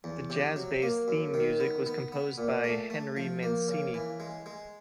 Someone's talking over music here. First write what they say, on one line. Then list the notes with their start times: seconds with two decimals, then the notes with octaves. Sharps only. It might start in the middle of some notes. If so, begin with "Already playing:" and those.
The jazz-based theme music was composed by Henry Mancini.
0.04 E2
0.30 C3
0.56 F#3
0.82 A#3
1.08 F#2
1.34 D#3
1.60 B3
1.86 B3
2.12 B3
2.38 A#2
2.64 A3
2.90 A3
3.17 F3
3.43 A#3
3.68 C#3
3.94 E3
4.20 G#3
4.46 G#3